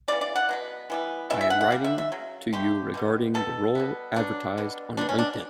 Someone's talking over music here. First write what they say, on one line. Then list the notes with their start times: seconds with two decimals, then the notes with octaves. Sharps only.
I am writing to you regarding the role advertised on LinkedIn.
0.08 C#3 E3 G3 B3 D5
0.21 D5
0.36 F#5
0.49 B2 F#3 B3
0.90 E3 G3 B3
1.30 E3 E5
1.33 A3
1.41 E5
1.50 F#5
1.61 F#5
1.71 C#3 G3
1.84 E5
1.98 E5
2.12 C#3 F#3
2.53 D3 A3 G4
2.94 B2 G3 B3
3.34 B2 G3 B3 A4
3.75 B2 G3 B3
4.16 D3 F#3 B3 D4
4.57 B2 G3 B3
4.97 B2 G3 B3 D4
5.09 C#4
5.19 D4